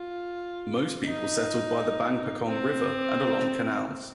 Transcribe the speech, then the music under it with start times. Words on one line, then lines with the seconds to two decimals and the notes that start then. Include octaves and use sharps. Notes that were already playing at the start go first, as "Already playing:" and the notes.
Most people settled by the Bang Pakong River and along canals.
Already playing: F4
1.06 D#4
2.47 C4